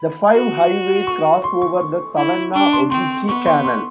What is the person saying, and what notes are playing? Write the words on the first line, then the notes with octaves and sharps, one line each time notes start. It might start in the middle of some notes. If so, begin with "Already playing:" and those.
The five highways cross over the Savannah-Ogeechee Canal.
Already playing: B5
F#4
C#6
C6
C#6
C#6
E4
D4 C#6
C6
C4 C6
B3 C#6
C6
C6